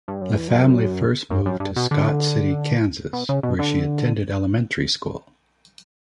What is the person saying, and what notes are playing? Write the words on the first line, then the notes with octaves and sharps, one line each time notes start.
The family first moved to Scott City, Kansas, where she attended elementary school.
G2
F#2
E2
F#2
F#2
F#2
G2
B2
D3
B2
C#3
B2
D3